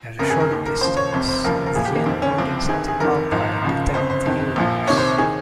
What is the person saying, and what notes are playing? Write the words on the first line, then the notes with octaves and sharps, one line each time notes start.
At a short distance, the end organs of the palpi detect the odors.
G1 F2 C#3 A#4
G#4
A#4
D#2 D#3
A#4
D#2 C#3 F3 C5
C#5
F1 F2 C3 C5
C5
F1 D#2 C#3 F3 A#4
A#4
C2 A#2 F3 G#4
G4
A#3
F1 F2 D#3 C4
C#4
C2 C3 F3 C4
G1 G2 D#3 G#4
G#4
F1 F2 D#3 A#4
G#1 G#2 F3
C#2 C#3 F3
G1 F2 C#3 C5
C5
G1 F2 D#3
A#1 A#2 F3
C2 C3 D#3 C#5
C5
D#3 G#4